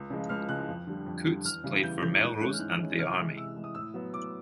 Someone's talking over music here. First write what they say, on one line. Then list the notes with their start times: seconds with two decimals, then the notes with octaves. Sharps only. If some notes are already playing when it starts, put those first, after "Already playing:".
Coutts played for Melrose and the Army.
Already playing: C#2
0.10 C#3 F3 G#3
0.29 C#2 F6
0.49 C#3 F3 G#3 F#6
0.68 F2
0.87 D3 G3
1.06 F2
1.26 D3 G3
1.44 E2 F6
1.64 C#3 E3 G3
1.83 E2 G6
2.02 C#3 E3 G3 G6
2.21 G#2 F#6
2.40 E3 G#3 C#4 F#6
2.53 F6
2.59 G#2 F#6
2.79 E3 G#3 C#4
2.99 C3 F6
3.17 E3 G#3
3.37 C3 E6
3.56 E3 G#3
3.64 D#6
3.75 A2 E6
3.94 F#3 B3
4.13 A2 D6